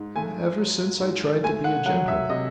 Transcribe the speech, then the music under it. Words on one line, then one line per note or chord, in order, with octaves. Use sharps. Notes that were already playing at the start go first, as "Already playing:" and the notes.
"Ever since I tried to be a gentleman."
Already playing: G#2
A3 G#5
F#3
G#2
A3 G#5
F#5
F#3 F#5
E5
C3 D#5